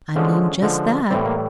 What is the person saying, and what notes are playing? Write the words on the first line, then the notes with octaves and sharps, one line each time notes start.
"I mean just that."
D3 F3 G#3 C#4
D3 F3 G#3
A2 E3 G3 C4
A#3